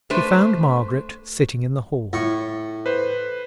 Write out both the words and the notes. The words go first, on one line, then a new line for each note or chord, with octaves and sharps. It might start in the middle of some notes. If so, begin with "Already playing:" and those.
He found Margaret sitting in the hall.
A3 D4 B4 C5
A2 C#6
B4 C5